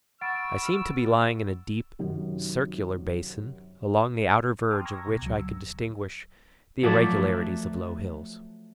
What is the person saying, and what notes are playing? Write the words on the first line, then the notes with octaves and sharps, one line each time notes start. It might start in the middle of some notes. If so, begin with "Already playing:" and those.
I seemed to be lying in a deep, circular basin, along the outer verge of which I could distinguish the irregularities of low hills.
F#5 B5 C#6 E6 F6 A6 D7
F#2 C3 D#3
G5 A5 C6 D6 D#6 F6
A#5 C#6 E6 G#6 A#6
B2
C#2 F#3
D2 E6
F3 F#3 A3 D5